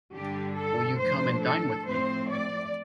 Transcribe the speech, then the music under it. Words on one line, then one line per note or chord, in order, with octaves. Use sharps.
Will you come and dine with me?
G2 D3 G3 D4 G4
A4
A2 F3 D4 C5
A4
A2 F3 C4 C5
D5